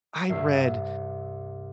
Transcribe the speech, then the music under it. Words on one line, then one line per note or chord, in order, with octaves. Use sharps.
I read
C2 G2 E5 C7